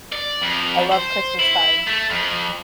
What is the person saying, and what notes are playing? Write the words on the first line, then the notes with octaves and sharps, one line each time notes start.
I love Christmas time.
D5
F2
C5
E4
A3
F2